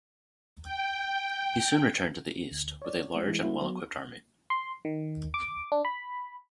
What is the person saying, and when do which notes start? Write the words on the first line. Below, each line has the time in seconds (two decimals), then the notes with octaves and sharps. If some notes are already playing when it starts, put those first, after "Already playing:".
He soon returned to the east with a large and well-equipped army.
0.64 G5
2.52 D2
2.82 C#5 D5
3.15 G#3 C4 G4
3.28 E3 G#3
3.42 G3 A#3 E4 F#4 C5
3.61 F#3 B3
4.50 C6
4.85 D#3
5.34 D6
5.72 D4
5.85 B5